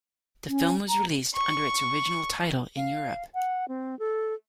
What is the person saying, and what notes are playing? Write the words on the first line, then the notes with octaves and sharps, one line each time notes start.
The film was released under its original title in Europe.
C#4
A#5
C#6
F5
F#5
C4
A4